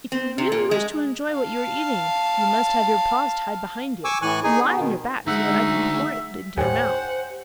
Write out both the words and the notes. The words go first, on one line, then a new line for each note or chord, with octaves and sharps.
'If you really wish to enjoy what you are eating, you must have your paws tied behind you, and lie on your back, so that I can pour it into your mouth.'
C4
C3
A#2
G#3
F5 A5
G#5 C#6 D6 E6
A2 E3 G#5 C#6 F#6
D#4 G#4 G#5
B3
B2 D#3
D2 G#3 D#4 E5 F#5
D#2 A2 G4 C5 C#5 F#5 G#5